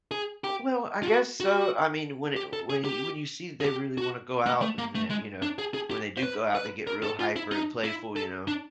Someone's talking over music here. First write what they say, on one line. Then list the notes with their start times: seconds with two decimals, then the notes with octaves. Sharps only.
uh, well, I guess so. I mean, when it when he when you see that they really wanna go out and, uh, you know, when they do go out, they get real hyper and playful, you know.
0.11 G#4
0.44 G4
1.03 F4
1.08 F#4
1.40 F#4
2.36 G4
2.53 A4
2.70 G#4
2.85 G4
3.60 G#4
3.65 G4
3.98 F#4
4.46 A#3
4.62 A3
4.78 A#3
4.95 A3
5.10 G#3
5.42 D4
5.58 G#4
5.74 G#4
5.91 G4
6.18 C5
6.23 B4
6.55 B4
6.87 A#4
7.03 A4
7.19 F4
7.36 E4
7.52 D#4
7.84 E4
8.16 A4
8.48 D4